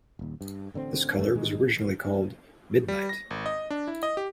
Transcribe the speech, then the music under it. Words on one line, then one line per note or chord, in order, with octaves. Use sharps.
This color was originally called "midnight".
D#1 D#2
G2
A1 D3 G3 C4
F2 D#3 A3 C#4
A#2 D#3 G#3
G3
A#6
G#1
D#5
D4
E4
D#5
G4